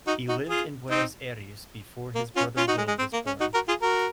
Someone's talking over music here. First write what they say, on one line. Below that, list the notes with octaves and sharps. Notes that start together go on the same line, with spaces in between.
He lived in Buenos Aires before his brother Will was born.
D#4 F#4
D#4 F#4
F4 G#4
C4 D#4
A#3
C#4 F4
C#4 F4
D#4 F#4
G#3
G#3
C4
A#3
C#4
D#4 F#4
F#4 A#4
F4 G#4
F#4 A#4